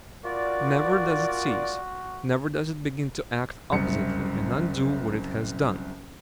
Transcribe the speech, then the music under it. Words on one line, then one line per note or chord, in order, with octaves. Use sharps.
Never does it cease: never does it begin to act oppositely and undo what it has done.
F4 F#4 A#4 D5
F#1 C2 C#7